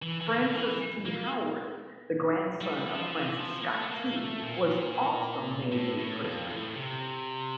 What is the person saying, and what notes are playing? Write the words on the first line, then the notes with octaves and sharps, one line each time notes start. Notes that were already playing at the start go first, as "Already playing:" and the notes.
Francis Key Howard, the grandson of Francis Scott Key was also made a prisoner.
E3
E3
D3
E3
A#3
G3
F3
E3
F3
A#3
A3
A3
A#3
A3
A#2
A2
A2
F2
A2
C3